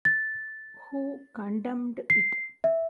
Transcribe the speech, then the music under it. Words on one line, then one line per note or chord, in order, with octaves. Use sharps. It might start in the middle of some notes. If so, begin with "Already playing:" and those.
Who condemned it?
A6
C7
E5